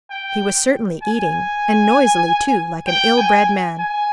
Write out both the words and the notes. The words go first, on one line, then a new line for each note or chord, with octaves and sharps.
He was certainly eating, and noisily too, like an ill-bred man.
G5
G#5
G5
G#5
G#5